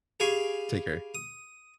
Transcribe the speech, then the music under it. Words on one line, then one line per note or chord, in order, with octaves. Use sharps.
Take care.
G4 G#4 F5 G#5 B5 C#6
D#6